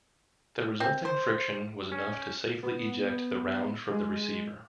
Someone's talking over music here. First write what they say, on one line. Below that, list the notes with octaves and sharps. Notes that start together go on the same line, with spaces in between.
The resulting friction was enough to safely eject the round from the receiver.
C4
C5
C#4
B3
G#3